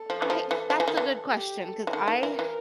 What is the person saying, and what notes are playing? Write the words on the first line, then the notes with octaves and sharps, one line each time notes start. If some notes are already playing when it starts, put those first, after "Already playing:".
I that's a good question 'cause I
Already playing: A4
F3
E3
F3
E3
F3
E3
D#3
E3
G4
A4
E3
D#3 A4
D#3
E3 A#4
E3